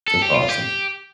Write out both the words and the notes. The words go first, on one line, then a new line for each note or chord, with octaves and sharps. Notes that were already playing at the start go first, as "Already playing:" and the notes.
That's awesome.
A4
G4
F4
G4